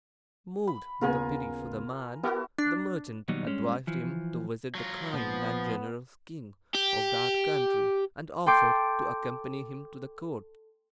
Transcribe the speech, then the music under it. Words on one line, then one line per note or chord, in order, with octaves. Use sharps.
Moved with pity for the man, the merchant advised him to visit the kind and generous king of that country, and offered to accompany him to the court.
B5
D#2 C#3 B3 F4 A#4 G#5
B3 E4 F#4 G4 A#4
D4
D#2 B2 F#3 G3 D#4
G2 G#3 C#4
E3 F3
F#3 F4
A#1 A#2 F3 B3
G4
A4 G5 C6 D6 G6